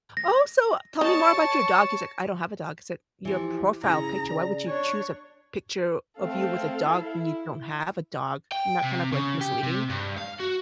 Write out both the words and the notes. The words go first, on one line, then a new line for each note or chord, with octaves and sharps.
"Oh, so tell me more about your dog," he's like, "I don't have a dog." I said, "Your profile picture, why would you choose a picture of you with a dog when you don't have a dog?" Isn't that kind of, like, misleading?
A#6
D#4 C#5 A5 C#6
E3 F3 G4
C#3 E4 A#5
D5
D4 C#5
A3 C4 A4 F5
E4
G5
C3
C#3
G4
C3
G2
F5
F#4